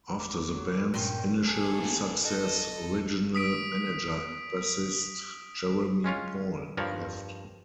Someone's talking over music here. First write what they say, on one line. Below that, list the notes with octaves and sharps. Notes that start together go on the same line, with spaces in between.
After the band's initial success, original manager and bassist Jeremy Paul left.
D6
F#3
G2 A#2 C#4 G5 C6
G#4 A4
A4 D#5
D#6 B6 D7
G#3 C#4 F4 C#5
G2 F3 A#4 C#5 D5